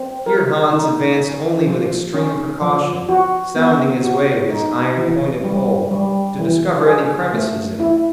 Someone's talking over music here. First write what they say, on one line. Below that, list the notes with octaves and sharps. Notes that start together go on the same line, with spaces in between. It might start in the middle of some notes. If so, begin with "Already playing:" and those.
Here Hans advanced only with extreme precaution, sounding his way with his iron-pointed pole, to discover any crevasses in it.
Already playing: C4
A#4
D#4
C#4
F3
C#4
F3
F#4
B3
F#4
D#4
E3
G3
G3
E3
G#4
A3
E4